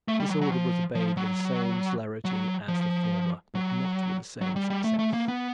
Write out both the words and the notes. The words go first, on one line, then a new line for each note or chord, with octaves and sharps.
This order was obeyed with the same celerity as the former, but not with the same success.
A3
G3
F#3
F#3
F3
F3
F#3
F#3
F3
F#3
F#3
G3
G3
A3
A3
A#3
B3